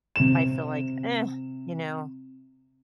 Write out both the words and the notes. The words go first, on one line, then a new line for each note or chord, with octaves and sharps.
I feel like, eh, you know?
C3 E7